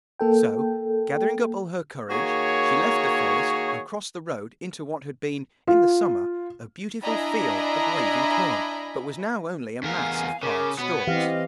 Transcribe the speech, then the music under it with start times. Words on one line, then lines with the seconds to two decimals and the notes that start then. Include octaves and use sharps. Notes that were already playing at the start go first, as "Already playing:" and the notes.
So, gathering up all her courage, she left the forest and crossed the road into what had been, in the summer, a beautiful field of waving corn, but was now only a mass of hard stalks.
0.19 A#3 A4 G5
2.10 D#3 A#3 F#4 G#4 C#5
5.67 F4
7.04 D4 E4 D#5 G#5 A#5 B5
9.83 E2 A#4 F5 G#5
10.43 C#3 A#4 D6
10.78 B2 B3 C#5 B5
11.07 E3 C4 G4 D#5 F5